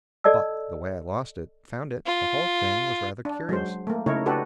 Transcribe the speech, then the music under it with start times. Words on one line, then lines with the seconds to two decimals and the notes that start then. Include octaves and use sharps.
But the way I lost it--found it--the whole thing--was rather curious.
0.24 A4 D5 D#5 A5 E6
2.07 F4
3.25 D4
3.49 F#3 G#3 C5
3.87 A3 A#3
4.06 C#3 A3 D#4 E4 A#4 C#5
4.26 D4 F#4 G4 A4 B4